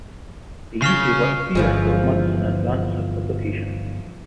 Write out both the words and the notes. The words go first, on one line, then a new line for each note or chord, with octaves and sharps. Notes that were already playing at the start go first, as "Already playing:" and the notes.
They usually work three or four months in advance of publication.
C#3 C#6 F6 C7
G1 E3 F3 G#3